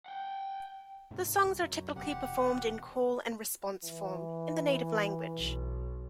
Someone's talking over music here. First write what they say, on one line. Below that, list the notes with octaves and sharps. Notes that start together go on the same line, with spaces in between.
The songs are typically performed in call and response form, in the native language.
F#5 G5
G#2 C3
C2
F#2
E1 C3 G4 F#5
E3
B1